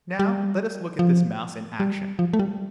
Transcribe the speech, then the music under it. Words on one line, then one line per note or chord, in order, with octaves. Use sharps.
Now let us look at this mouse in action.
G3
F3
G3
F3
A3
G3